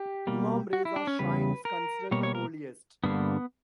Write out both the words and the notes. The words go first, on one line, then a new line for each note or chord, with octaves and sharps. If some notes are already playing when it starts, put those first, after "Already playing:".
Imam Reza's shrine is considered the holiest.
Already playing: G4
B2 G3 A#3
F#4
E4
D4
C#4
E2 C#3 G3 B4
A#4
B2 G3 A#3 C#5
C#5
A#4
G2 D3 G3 A#3 B3